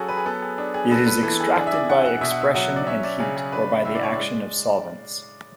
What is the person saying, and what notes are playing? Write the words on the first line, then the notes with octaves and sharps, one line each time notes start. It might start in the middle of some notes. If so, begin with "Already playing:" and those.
It is extracted by expression and heat, or by the action of solvents.
Already playing: F#3 C#4 F#4 G#4 A4
B4
G#4
B3 A4
G#4
D4 G#4
G#4
B3 A4
B4
E3 A4
G#4
D4 G#4
E5
D5
D4 F#5
F#5
B2 E5
F#5
E5
F#3 F#5
D5
C#4 E5
D5
C#3 G#4
G#4
D4 B4
A2 E5
D5
C#5
G#3 D5